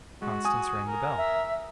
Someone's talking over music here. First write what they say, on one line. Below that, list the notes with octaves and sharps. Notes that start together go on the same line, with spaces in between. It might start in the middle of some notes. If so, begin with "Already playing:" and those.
Constance rang the bell.
G#3 F#4
G#5 D#6
A#4
E5